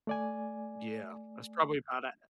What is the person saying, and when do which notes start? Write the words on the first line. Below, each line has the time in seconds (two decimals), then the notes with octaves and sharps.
Yeah. That's probably about ac
0.07 A3 D5 G#5